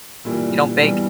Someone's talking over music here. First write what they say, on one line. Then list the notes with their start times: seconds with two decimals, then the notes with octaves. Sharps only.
You don't bake?
0.25 G2 A#2 E3 G3
0.78 G2 B2 E3 G3